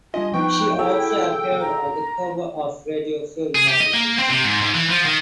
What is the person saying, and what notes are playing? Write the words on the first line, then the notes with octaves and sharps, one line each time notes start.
She also appeared on the cover of "Radio Film" magazine.
G3 D4 F4 D#5 G#5
F3 B3 D#4 B4 G5 C#6
E4 F#4 G#4 A4 E6
A#5
G#4
G4
D#5
A#3
C4
C3
G#2
G#2
E3
F3
D#3